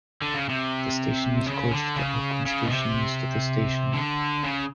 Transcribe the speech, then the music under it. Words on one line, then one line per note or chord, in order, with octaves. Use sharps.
The station is close to the Oaklands station East of the station.
D3
C#3
C3
C#3
D3
C#3
C#3
B2
C3
D3
C#3